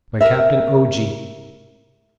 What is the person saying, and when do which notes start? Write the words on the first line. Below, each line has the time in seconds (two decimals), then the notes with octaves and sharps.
By Captain O.G.
0.21 A#4 E5